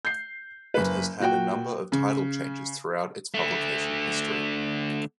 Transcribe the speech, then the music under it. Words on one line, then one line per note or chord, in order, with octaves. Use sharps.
It has had a number of title changes throughout its publication history.
G6 C7
F#1 B4
A#2 F#4 G5
C#3
D3 A3